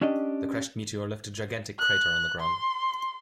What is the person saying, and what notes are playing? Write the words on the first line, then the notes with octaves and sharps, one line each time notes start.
The crashed meteor left a gigantic crater on the ground.
C#4 D4 G4 D#5
F#6
C6